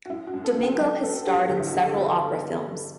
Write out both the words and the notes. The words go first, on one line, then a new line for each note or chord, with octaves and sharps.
Domingo has starred in several opera films.
F#4
F#2 E4
F#4
F#2
A4
D3
G5
F#3 G5
B3 A4
G2 G4
G1 G4
E4
F#4
G1
A4
B3